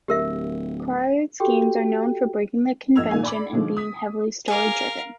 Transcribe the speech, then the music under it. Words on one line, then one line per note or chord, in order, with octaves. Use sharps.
Kyratzes' games are known for breaking with convention and being heavily story-driven.
D1 G4 A#4 E5
F#4 G4 A4 G5
A#1 D#5 E6 G#6 F7
A#2 D#3 A#3 G#5
D5 B5 D6
B2 D3 D#3 F3 G#3
D#6 B6
G#4 A#4 F5 D6